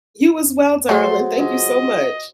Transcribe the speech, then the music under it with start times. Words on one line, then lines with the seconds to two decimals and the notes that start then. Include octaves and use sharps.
You as well, darling, thank you so much.
0.89 F#3 G#3 A3 F#4 C5 F#5 A5 C6
1.39 C#2 D#5